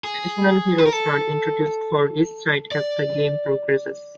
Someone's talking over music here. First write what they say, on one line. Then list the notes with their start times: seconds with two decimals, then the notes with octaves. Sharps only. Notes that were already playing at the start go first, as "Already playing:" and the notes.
Additional heroes are introduced for each side as the game progresses.
0.04 G#4
0.78 B4
0.86 A#4
0.93 A4
2.72 D5